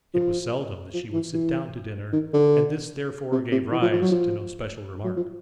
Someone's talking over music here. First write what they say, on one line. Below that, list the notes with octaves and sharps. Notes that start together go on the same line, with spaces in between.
It was seldom that she would sit down to dinner, and this therefore gave rise to no special remark.
F3
F3
E3
E3
D#3
D3
C3
C3
E3
F3
F3
F#3
F3
F#3
F3